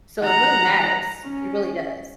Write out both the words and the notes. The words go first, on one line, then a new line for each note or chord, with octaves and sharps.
So, it really matters. It really does.
F#5 A#5
C#4